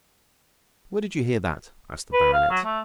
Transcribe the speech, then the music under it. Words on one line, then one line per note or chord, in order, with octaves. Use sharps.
"Where did you hear that?" asked the Baronet.
B4
F5
F#3
A3